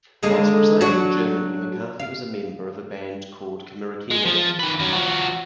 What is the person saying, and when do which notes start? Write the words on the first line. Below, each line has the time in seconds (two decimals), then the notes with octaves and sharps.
Whilst residing in Germany, McCarthy was a member of a band called Kamerakino.
0.23 D3 G#3 A#3
0.81 F#3 D4 F#4
1.99 F5
4.11 G#3
4.25 F3
4.59 D#3 B4
4.79 F#2 F#3
4.93 F3 F#4